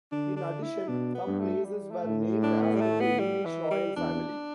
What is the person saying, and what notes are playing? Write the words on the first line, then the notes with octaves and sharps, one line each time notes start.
In addition, some places were named after the English royal family.
D3 D4
D4
E4
B2 D4
B3
G2
A3
G3
A3
A2
D4
B3
G3
A3
B3
G3
E3
G3
E2 D4